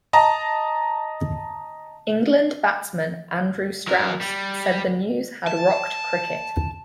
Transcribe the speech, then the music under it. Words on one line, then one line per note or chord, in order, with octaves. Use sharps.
England batsman Andrew Strauss said the news had rocked cricket.
D#5 A5 A#5
F#3 A#4
G3
A5